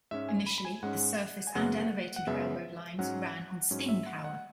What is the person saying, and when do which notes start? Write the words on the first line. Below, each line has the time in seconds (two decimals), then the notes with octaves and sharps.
Initially the surface and elevated railroad lines ran on steam power.
0.11 G#2 G#3 C#4 E5
0.29 G#5
0.46 B5
0.58 B5
0.65 G#5
0.83 G#2 G#3 C#4 F#5
1.47 G#5
1.55 F#2 C#3 G#3 B3 F#5
2.16 F#5
2.27 F#2 C#3 G#3 B3 E5
2.99 G#2 F#3 C#4 F#5
3.71 G#2 F#3 C#4
3.80 C#5
3.89 E5
4.06 F#5
4.24 F#5